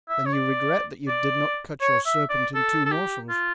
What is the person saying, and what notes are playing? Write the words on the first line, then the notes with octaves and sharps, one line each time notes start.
"Then you regret that you did not cut your serpent in two morsels?"
E5
C#5
D5
D5
C#5
E5
D5
A4
A4
G4
F4